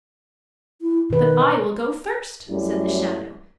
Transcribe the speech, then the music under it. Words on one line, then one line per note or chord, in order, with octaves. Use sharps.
"But I will go first!" said the shadow.
E4
B2 D#3 B4
F#2 F#3 G3 A3 E4